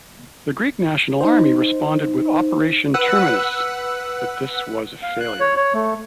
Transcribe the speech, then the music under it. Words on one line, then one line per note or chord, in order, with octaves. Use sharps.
The Greek National Army responded with Operation Terminus, but this was a failure.
D#4 C5
B4 F#5 E6 F#6
F5
F#6
C#5
C#5
A3